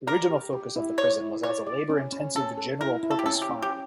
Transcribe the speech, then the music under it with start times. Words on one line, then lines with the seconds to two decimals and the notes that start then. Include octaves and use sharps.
The original focus of the prison was as a labor-intensive general-purpose farm.
0.07 A#4 D5
0.30 G4
0.53 G4
0.76 E4
0.98 C#5 D5
1.21 E4
1.43 C#5 D5
1.67 D5
1.90 C#4
2.12 C#4
2.35 C#4 A4
2.58 A4
2.81 E4 A#4
3.03 E4
3.11 A4
3.19 G4
3.26 C#4 A4
3.42 G4
3.49 C#4
3.62 G4